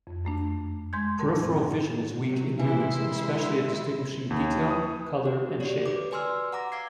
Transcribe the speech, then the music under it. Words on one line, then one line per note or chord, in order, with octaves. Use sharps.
Peripheral vision is weak in humans, especially at distinguishing detail, color, and shape.
F2
F#2 A3 D4
G#3 C6 G6 G#6
A#2 G3 A#4 A5
G#2 C4
C3 F#3
E3 G#3 E4 E5 C6
D#2
D#6
F#4
F#4 G4 C#5 D5
B4 D6
B4 D5 G#5 C6 E6 F6
F#5 A#5 D6 A#6
F5 D6 G#6 C7